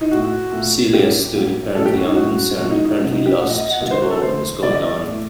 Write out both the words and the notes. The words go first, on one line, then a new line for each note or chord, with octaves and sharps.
Celia stood apparently unconcerned, apparently lost to all that was going on.
D#4
A2 A3 F#4
A#2 A3
A2 F#3 A#3 G4
A2 F#3 A#3
A2 F#3 A3 A4
G4
F#4
D#4
A2 A3 F#4
A#2 F#3 A3 F#4
D#4
D#4
C3 F#3 A3
D#4
G4
A#2 A3 F#5
D#5
D#5
F#5
D3 G3 A#3 D#5
C5
F#4
A4
D3 A3 C5
D3 G3 A#3 D5
D#5
D5
A2 A3